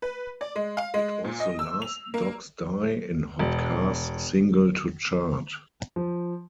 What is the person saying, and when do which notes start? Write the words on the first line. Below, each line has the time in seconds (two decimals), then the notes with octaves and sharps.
It was the last Dogs Die in Hot Cars single to chart.
0.02 B4
0.41 D5
0.56 G#3
0.77 F5
0.94 G#3
1.24 A#2
1.40 D#5
1.59 E6
1.82 F7
2.14 A#3
3.39 E1
5.96 F3